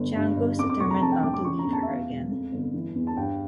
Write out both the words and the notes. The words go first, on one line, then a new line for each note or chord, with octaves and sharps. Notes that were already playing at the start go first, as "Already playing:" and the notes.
Django is determined not to leave her again.
Already playing: G1
G2
G1
F2 D6
D6
F1 C#6
A#5
F2 A5
G5
F1 D6
D6
C#3 C#6
A#5
E2
A5
E5
E2 F5
E1
F2
G1
E3
E2
A5
G2 G5